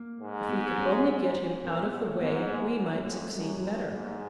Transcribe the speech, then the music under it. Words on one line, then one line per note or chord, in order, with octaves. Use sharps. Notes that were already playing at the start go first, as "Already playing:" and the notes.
If we could only get him out of the way we might succeed better.'
Already playing: A#3
G#2
B3
C#4
C#4
C4
A#2 C4
B3
A2
A#3
G#2 B3
A#3
F#2 A#3
F2 A3
F#2 G3
F#3
G2 G3
G#2 A#3